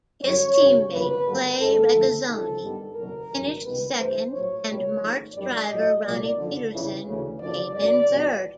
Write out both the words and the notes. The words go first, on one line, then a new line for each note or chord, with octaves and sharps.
His teammate Clay Regazzoni finished second and March driver Ronnie Peterson came in third.
F#2 D3 G3 C#5
G#1 F#2 C#3 F#3
G1 F2 C#3 F#3 A#3 B4
G2 D3 F#3 A#3
G#1 G#2 D#3 A4
F2 D3 F3 A3
C#2 C3 D#3 A4
G2 D#3 G3 B3
F#1 E2 B2 F#3 A#4
G#1 F#2 C#3 E3 G3
C#2 C3 D#3 G3 B3 B4
G2 E3 A3 C5
A#1 A2 F#3 C#5
C#2 B2 G3 A#3 C#5
G#1 G#2 F3 A3
F#2 D#3 G3 D5
A#1 A2 F#3 D#5
C2 A#2 F#3 A#3 D5
F#1 F2 D3 F3
G1 F2 C#3 E3
D2 C#3 E3
F#1 F#2 D3 F3 D5
F#2 D3 F#3 A#3 D5
E2 B2 G3